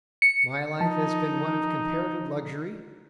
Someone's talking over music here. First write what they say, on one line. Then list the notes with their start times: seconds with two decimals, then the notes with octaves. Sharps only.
My life has been one of comparative luxury.
0.22 C#7
0.80 F3 D#4 A5